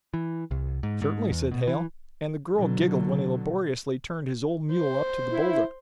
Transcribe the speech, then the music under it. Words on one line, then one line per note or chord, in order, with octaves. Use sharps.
"Certainly," said Hale, and the girl giggled when he laboriously turned his old mule up to the boulder.
E3
C2
G#2
G#2
E2
B2
E3
B2 D3 F#3
C5
E4